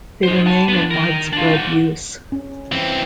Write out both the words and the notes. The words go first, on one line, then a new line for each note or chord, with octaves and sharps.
They remain in widespread use.
D#4 C5
F#5 A5
B3 D4
D#3 A#4
D4 F4
D#4 F#5
C#4
E3 C4